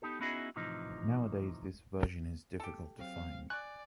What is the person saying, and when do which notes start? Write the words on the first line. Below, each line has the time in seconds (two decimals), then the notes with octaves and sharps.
Nowadays, this version is difficult to find.
0.02 B3 D#4 G4 A4
0.21 B3 C#4 D#4 E4 F#4 G#4
0.56 A2 C3 E3 F3 D#4
2.60 G4 A4
2.99 F#3 C4 F5
3.50 D5 G#5 C#6 F#6